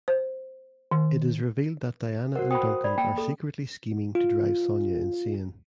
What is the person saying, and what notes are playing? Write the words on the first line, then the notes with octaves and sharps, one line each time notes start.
It is revealed that Diana and Duncan are secretly scheming to drive Sonia insane.
C5
D#3
F#4 A#4 C5 F#5
C5 G5 B5 D#6
D5 B5
A#3 G5
A4
F4